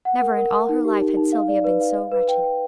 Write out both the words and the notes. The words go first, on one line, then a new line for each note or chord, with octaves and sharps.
Never in all her life had Sylvia been so wretched.
F#5
A#4
A#4
A#4
D#4
G4
D#4
D#4
F5
D5
B4
F5
D#5
B4
G5
G5